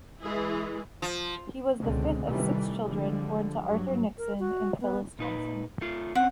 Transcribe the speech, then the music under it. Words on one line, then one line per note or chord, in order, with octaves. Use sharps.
He was the fifth of six children born to Arthur Nixon and Phylis Thompson.
E3 G#3 E4 G#4
F3
C#2 B2 D3 G#3 C4
C3 D#3 E3 G3 A3
D3 F3 G3 G#3
G2 F#3
A#4
F#4
B3
A#2 D#4 B4
A3 F4
C4 C#4 F#5